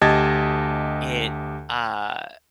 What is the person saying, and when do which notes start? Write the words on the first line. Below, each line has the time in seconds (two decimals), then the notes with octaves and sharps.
it, uh
0.01 D2 G4 D#5 A5 G#6 A6